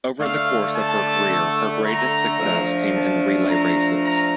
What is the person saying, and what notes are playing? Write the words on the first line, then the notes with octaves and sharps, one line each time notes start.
Over the course of her career her greatest success came in relay races.
D3 A3 D4 F5
A5
A#5
F3 A3 D4
A5
A#5
A#5